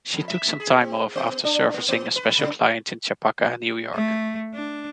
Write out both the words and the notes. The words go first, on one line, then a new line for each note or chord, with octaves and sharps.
She took some time off after "servicing" a special client in Chappaqua, New York.
F2
E5
G#4
C4
B3
D4
A#3
B3
B4
C#3
A3
D4